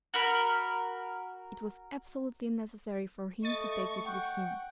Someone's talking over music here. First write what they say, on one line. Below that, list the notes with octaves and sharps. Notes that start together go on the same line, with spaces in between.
It was absolutely necessary for him to take it with him.
F#4 A#4 B5
A3 D#5 C#6 A6 D#7
F#5 G5